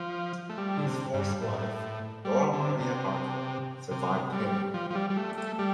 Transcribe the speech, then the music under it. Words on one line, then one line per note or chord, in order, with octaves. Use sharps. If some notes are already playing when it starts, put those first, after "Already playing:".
His fourth wife, Dora Maria Barker, survived him.
Already playing: F3
A3
G3
D3
C3
G2
A2
G3
D3
C3
C3
G3
F3
F3
G3
G3
A3
A3
G3